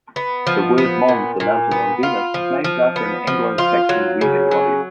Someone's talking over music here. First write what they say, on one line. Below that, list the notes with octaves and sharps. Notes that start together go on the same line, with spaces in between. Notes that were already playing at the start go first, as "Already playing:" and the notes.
The Wyrd Mons, a mountain on Venus, is named after an "Anglo-Saxon weaving goddess".
B3
F3
B3
A#2
A#2
B3
F4
F3
F3
B3
F3
F4
F#3
C#3
F#3